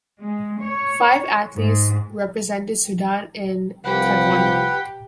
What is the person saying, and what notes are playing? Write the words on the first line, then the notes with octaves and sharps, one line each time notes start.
Five athletes represented Sudan in Taekwondo.
G#3
C#5
G#2
C2 F3 G4 B4 F#5